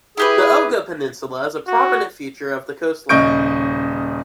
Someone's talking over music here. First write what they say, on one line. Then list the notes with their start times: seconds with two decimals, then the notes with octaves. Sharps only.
The Oga Peninsula is a prominent feature of the coastline.
0.17 E4 G4 G#4 B4
1.67 F#4
3.09 D#1 C#3 D#5 C#6 G6 D7